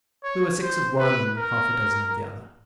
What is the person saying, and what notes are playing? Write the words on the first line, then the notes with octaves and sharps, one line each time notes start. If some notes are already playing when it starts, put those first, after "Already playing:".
We were six of one and half-a-dozen of the other.
C#5
C5
B4
A#4